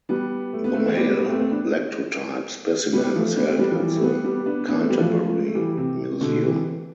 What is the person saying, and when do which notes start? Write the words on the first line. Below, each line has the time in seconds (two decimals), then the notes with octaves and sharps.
The male lectotype specimen is held at the Canterbury Museum.
0.09 G3 B3
0.53 A3
0.64 B3
0.74 A3 C4
0.86 C4
0.97 G3 B3
1.19 G3 B3
1.29 A3 C4
1.40 A3 C4
1.51 B3 D4
2.93 G3 B3
3.15 F3 A3
3.36 B3 D4
3.48 A3 C4
3.59 G3 B3
3.71 F3
3.80 E3 G3
3.96 A3
4.03 G3 B3
4.24 G3 B3
4.46 B3 D4
4.68 B3 D4
4.79 A3 C4
4.90 G3 B3
5.00 F3 A3
5.46 A3
5.55 E3 G3
5.77 C3
5.99 C3
6.21 B2 D3
6.42 C3 E3